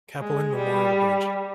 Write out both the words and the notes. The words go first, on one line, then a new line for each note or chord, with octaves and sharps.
Cappelen Memorial Bridge.
G#3
G3